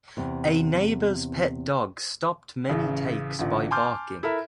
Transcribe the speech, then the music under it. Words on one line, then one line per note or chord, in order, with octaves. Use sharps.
A neighbor's pet dog stopped many takes by barking.
E2 C3
A1 C#3
A1 A#2 D3
G#5 A5 C6 D6 F6 G6
E4 A4 A#4 E5